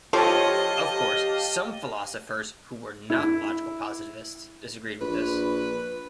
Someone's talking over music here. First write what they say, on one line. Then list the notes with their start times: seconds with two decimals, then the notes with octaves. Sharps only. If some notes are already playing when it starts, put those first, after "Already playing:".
Of course, some philosophers who were not logical positivists disagreed with this.
0.13 F3 G4 A4 C#5 D#5 F5 A5
3.10 E4
5.01 A#1 B4